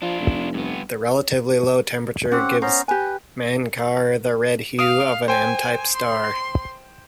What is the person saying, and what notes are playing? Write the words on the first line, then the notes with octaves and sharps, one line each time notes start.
The relatively low temperature gives Menkar the red hue of an M-type star.
F3 D4 F4
F1
G2 B3
C4 C#4 G4 F#5
B3 C#4 C5 A#5
G4 B4 G#5
F5 D#6
C5 G5 G#5
C6